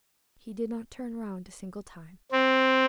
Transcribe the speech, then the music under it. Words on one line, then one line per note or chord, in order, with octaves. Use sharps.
He did not turn round a single time.
C4